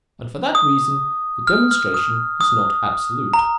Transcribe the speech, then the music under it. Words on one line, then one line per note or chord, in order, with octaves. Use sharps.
And, for that reason, the demonstration is not absolute.
D#6
F6
F6
D#6
D#6
A#5